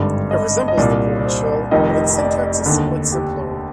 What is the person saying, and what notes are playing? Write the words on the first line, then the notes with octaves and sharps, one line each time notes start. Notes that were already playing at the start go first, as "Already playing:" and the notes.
It resembles the Bourne shell, but its syntax is somewhat simpler.
Already playing: G#1 G2 D3 D5
D#5
D#5
C2 A#2 D5
D5
C5
F1 F2 D#3 D#5
D5
D#2 D3
G4